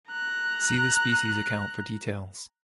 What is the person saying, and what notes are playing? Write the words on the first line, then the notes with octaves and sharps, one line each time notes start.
See the species account for details.
A#5 F#6